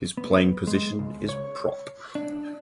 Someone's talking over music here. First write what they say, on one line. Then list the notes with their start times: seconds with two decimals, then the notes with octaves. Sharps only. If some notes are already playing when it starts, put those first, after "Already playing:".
His playing position is prop.
0.17 B3
0.67 G#3
0.99 C#2
1.29 C#5
2.15 D4